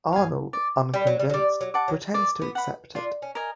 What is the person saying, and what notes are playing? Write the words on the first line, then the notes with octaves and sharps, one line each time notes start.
Arnold, unconvinced, pretends to accept it.
F5 G#5
D5
G3 G5 B5
F#3
G3
F#3
G3 D5
F#3
F#5 A5 D6
F#3
A#3 D5
B3
F#5 B5
D4 F4
C#4
A#4 D#5 G#5